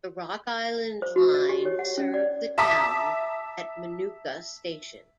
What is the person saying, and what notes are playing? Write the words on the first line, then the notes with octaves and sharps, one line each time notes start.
The Rock Island Line served the town at Minooka Station.
C5
F#4
D#5
G4
C#5
F#5
C#4
D5
E5 A5 A#5 D6 D#6 B6